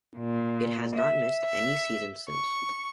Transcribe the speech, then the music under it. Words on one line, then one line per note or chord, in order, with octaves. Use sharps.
It has not missed any seasons since.
A#2
E5
E5
C#6